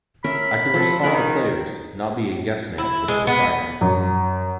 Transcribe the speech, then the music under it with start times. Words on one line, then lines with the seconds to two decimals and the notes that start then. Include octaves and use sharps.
I can respond to players, not be a yes-man for the proprietor.
0.24 C#4 A#4 E5 B5
0.74 F3 A4
1.03 D#3 D#4 A#4 F#5
2.78 E4
3.08 G#3
3.27 B3
3.81 F#2